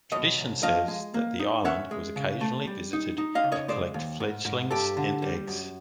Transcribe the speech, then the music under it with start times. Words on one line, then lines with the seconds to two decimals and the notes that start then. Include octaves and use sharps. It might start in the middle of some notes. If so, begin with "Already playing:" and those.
Tradition says that the island was occasionally visited to collect fledglings and eggs.
0.12 B2 C#5 D#5
0.38 C2
0.63 F3 D#5 F5
0.88 G#3
1.14 A#3
1.39 D#4
1.65 C#4 E5 F#5
1.91 G#3
2.16 C#3
2.41 A3
2.67 G3
2.93 D#4
3.18 D#4
3.35 D#5 F5
3.44 C#3
3.52 C#5 D#5
3.68 G#3 C5 D5
3.94 D#2
4.20 G#2
4.45 G#2
4.71 G2 G4 A4
4.97 D3
5.22 G3
5.48 F#2